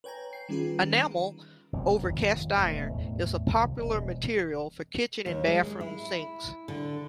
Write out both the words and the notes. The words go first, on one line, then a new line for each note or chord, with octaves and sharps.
Enamel over cast iron is a popular material for kitchen and bathroom sinks.
B4 C#5 G5 G#5 A#5
G5 C7
D#3 G3 C#4 F4 G#4 B4
D#3
F1 B1 E3 C4
G#1 F2 C3
E1 A3
E2 A2
C2 F2 C3 D#3
E1
D#2
G#3
E4
D3